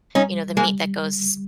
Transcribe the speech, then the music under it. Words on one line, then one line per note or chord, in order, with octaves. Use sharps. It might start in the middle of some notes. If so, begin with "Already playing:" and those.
you know, the meat that goes
G3 C#4 D#4
G3 G#3 A#3